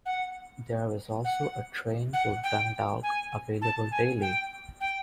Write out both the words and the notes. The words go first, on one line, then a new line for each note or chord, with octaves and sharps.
There is also a train to Dundalk available daily.
F#5
F#5
F#5
G5
G#5
A5
G#5
G5
G5